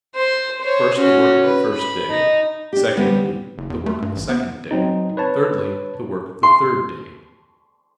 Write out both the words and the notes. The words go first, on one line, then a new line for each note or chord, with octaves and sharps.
First, the work of the first day; secondly, the work of the second day; thirdly the work of the third day.
C5
C5 C#5
C#4 F#4
B4
B5
D#4
D4 G4
D3 G3 B3 C4
F#1
E2
A3
G2
A1
B3
F#3 C4 D#4
B4 C#5 A5
C6